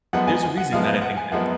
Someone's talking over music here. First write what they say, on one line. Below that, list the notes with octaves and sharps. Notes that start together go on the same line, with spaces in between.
There's a reason that I think this.
F#2 F3 G#3 B3 F#5
G#5
G#5
F#5
F#2 F3 G#3 B3 F5
F5
F#5
G#5
F#2 F3 G#3 B3 F#5